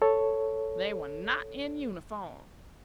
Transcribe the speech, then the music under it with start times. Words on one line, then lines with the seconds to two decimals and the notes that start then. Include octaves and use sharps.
They were not in uniform.
0.02 A4 C#5